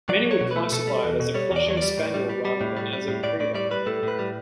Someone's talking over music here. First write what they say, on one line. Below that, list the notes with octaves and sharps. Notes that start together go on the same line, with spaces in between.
Many would classify it as a flushing spaniel rather than as a retriever.
F#3 D5
F#3
C#5
B2
A3 B4
B2 A4
G3
E2
B2
G3 C#5
E2
D5
E2 C#5
G3 D5
A2
G3
G3
G3
A2
G3
G3
A2
A2 D5
A2 D5
G3 D5
G3 B4
A2 A4
A2 B4
G3